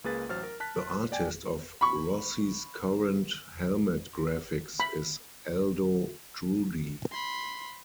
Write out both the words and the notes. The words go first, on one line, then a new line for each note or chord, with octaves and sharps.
The artist of Rossi's current helmet graphics is Aldo Drudi.
C#2 A#3 G#4 B4 A6
A1 F#3 C5 F6 A6
A#4
A5 F#6 B6
D5 G5 G#5
B5 C#6
B5
B5 C6